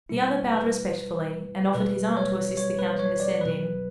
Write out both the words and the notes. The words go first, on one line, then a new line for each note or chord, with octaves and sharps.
The other bowed respectfully, and offered his arm to assist the count in descending.
B2 G3 E4
B4
B2 G3 B4
C#5
C#5
B4
C#5
D5
B2 F#3 B4